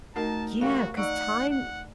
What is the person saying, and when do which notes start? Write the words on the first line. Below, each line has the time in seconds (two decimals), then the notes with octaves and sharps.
Yeah, 'cause time
0.16 A3 D#4 F#4 A#4 A5
0.61 E1 F#4 G4 F5 C#6
0.97 D#4 D5 F#5 C#6 E6
1.50 F#5